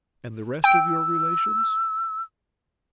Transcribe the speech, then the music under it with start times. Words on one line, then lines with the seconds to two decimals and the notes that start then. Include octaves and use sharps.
'And the rest of your relations?'
0.64 G5 E6